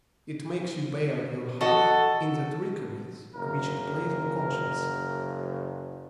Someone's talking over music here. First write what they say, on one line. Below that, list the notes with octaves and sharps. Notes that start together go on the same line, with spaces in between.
It makes you bear your half in the trickeries which it plays on conscience.
F#4 A4 D#5 F#5
F#1 A#4